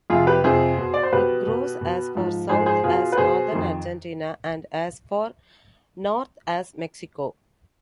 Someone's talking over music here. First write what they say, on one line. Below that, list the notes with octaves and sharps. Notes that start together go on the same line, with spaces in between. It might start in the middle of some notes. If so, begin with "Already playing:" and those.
It grows as far south as northern Argentina and as far north as Mexico.
F2 C3 F3 F4 G#4
G4 B4
F2 C3 F3 G#4 C5
B2
D5
C5
B2 G4 B4
B2
B2
G#2 F3
G#2 F3 G#4 C5
G#4 C5
B2 F4 G#4
B4
B2 G#4 C5
F2 D#3